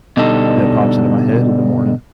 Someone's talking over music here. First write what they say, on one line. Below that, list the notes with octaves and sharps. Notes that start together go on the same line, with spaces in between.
that pops into my head in the morning.
B2 D3 G3 D#4 A4